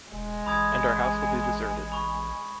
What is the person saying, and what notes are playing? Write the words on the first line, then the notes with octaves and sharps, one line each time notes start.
And our house will be deserted.
E1 G#3
A1 B5 D#6 G#6
B5 C#6